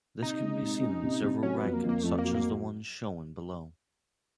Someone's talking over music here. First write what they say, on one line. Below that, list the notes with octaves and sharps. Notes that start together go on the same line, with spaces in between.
This can be seen in several rankings such as the ones shown below.
C3 D#4
G#3
C3
C#4
C3
C3
F#3 C#4
B3
F2
A#3
F2
A#3
F2 A3
F#3 A#3
A#3